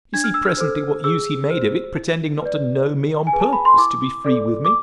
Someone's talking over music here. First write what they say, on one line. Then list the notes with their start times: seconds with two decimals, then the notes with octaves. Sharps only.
You see presently what use he made of it, pretending not to know me, on purpose to be free with me.
0.14 D4 G#6
0.24 F6
0.34 E6
0.45 F6
0.58 A4 C5
1.04 G#4 E6
1.50 C5
1.96 E4
2.42 B4 D5
2.86 E4
3.27 G#5
3.33 G#4 B4
3.40 A5
3.53 B5
3.65 C6
3.78 E4 D6
4.25 A4 D5
4.65 D6